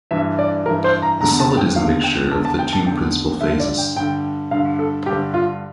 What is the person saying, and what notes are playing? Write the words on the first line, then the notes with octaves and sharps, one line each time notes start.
The solid is a mixture of the two principal phases.
G2 E3 E5
D5
G2 E3 A#4
C5
A#5
E2 D3 A#5
A5
G5
E2 D3 F5
G5
E2 D3 A5
A5
G5
A5
E2 D3 G5
G2 D3 E5
D5
G5
G2 D3 G5
G2 D3 F5
A4
G2 D3 G4
F4